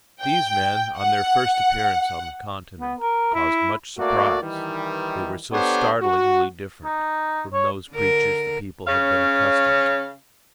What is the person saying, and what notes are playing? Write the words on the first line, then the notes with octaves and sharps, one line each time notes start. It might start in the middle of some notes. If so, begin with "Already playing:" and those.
These men, on their first appearance on the Continent, caused much surprise, they were so startlingly different from those preachers the people had been accustomed to.
G5
F#5
B3
A#4
E4
A3 A#3 F#4 A#4 D5
D#3 E3 G3
B3 D4 G4 A4 C5 C#5
F#4
D#4
C#5
D3 A#4
C#3 C#4 F5